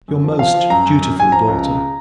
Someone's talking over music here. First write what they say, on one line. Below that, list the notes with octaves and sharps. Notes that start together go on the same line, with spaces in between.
Your most dutiful DAUGHTER.
F#2
F3
F3 F5
F3
F#2 A#5
F#2
F#2
F#2 G#5
F3 A#5
C#2
C#3